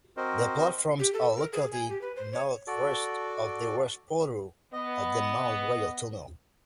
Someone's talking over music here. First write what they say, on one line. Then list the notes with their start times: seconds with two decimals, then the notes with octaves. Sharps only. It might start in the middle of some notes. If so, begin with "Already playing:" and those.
The platforms are located northwest of the west portal of the Mount Royal Tunnel.
0.17 C4 F#4 A#4 C5 D#5
0.99 G4
1.13 A4
1.37 A#4
1.53 G#4
1.72 G#5
1.89 G4
2.01 B4
2.16 C5
2.32 C#5
2.67 F#4 A4 D5
4.73 B3 D#5